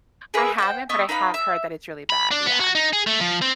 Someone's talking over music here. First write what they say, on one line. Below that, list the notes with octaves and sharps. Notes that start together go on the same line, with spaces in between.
I haven't, but I have heard that it's really bad, yeah.
G#4 A#4 B4 E5
C5 F#5 G5
B3 D#5 C#6 E6
D#4 B4 F5 B5
E5 E6
B5
D4
B3
F#4
D#4
G#4
A3
F3
C4